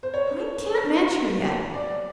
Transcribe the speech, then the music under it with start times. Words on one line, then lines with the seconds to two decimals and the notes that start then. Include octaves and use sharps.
I can't match her yet.
0.03 C5
0.14 C#5
1.74 D5